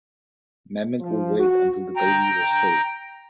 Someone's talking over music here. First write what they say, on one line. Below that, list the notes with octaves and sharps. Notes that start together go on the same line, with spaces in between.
Mehmet would wait until the baby was safe.
F3
F#4
G5 A#5